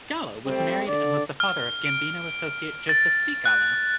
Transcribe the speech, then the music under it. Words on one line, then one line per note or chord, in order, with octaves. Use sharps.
Gallo was married and was the father of Gambino associate Joseph C. Gallo.
G3 A3 C4
D3 D5
F6
D7
A6
F#6